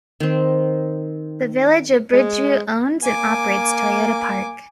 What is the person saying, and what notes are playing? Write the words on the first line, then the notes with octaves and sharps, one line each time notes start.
The Village of Bridgeview owns and operates Toyota Park.
D#3 C4
G#3
A#3 G#5 D6